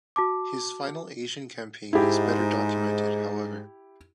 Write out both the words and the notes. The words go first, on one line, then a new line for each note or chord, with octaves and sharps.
His final Asian campaign is better documented, however.
F#4 A5 D6
G#2 E4 G4